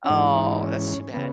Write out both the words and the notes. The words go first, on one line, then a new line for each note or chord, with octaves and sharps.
Oh, that's too bad.
C#4
G#2 E3 D#4
D#4
D#4
C#4
C#3 B3